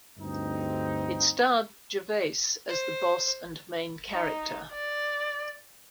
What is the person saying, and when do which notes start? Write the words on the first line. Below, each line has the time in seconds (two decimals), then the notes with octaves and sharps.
It starred Gervais as the boss and main character.
0.18 D2 G2 C4 D#4
2.69 C5
4.12 D#4
4.73 D5